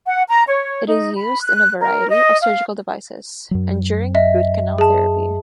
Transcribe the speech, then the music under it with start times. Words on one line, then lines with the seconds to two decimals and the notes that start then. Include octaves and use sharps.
It is used in a variety of surgical devices and during root canal therapy.
0.06 F#5
0.28 A#5
0.47 C#5
0.86 D#4
1.15 B5
1.41 F#6
1.80 A#4
2.08 D#5
2.41 F5
3.51 F#2 F#3
4.15 D#5 E5
4.78 G#4 A5